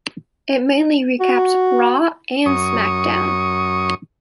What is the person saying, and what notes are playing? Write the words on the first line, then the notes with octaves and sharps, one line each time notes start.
It mainly recaps "Raw" and "SmackDown".
F#4
F#2 C#6 D#6